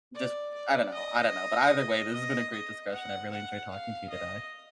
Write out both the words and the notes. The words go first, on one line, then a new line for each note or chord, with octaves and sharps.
just I don't know I don't know. But either way, this has been a great discussion. I really enjoyed talking to you today.
D5
D5
D#5
D#5
D#5
F#5
F#5
F5
D#5